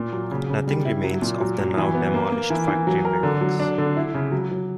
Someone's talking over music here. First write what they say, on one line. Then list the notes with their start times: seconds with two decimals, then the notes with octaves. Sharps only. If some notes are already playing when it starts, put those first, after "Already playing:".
Nothing remains of the now demolished factory buildings.
Already playing: A#2
0.13 F#3
0.31 C#3
0.50 C#3
0.67 G3
0.85 E4
1.04 F#3
1.22 A#2
1.40 F#3
1.59 F#3
1.77 E3
1.95 B3
2.14 A#3
2.32 A#3
2.50 E3
2.68 E3
2.87 F#3
3.05 A#4
3.23 D3
3.41 F#3
3.60 D4
3.78 D3
3.96 E4
4.14 C#3
4.32 F#3
4.51 F#3